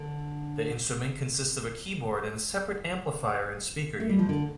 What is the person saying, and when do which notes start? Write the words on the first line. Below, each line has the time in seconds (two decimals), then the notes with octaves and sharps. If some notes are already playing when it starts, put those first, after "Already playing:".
The instrument consists of a keyboard and a separate amplifier and speaker unit.
Already playing: D3
4.00 A3
4.09 G3
4.19 F3
4.29 D3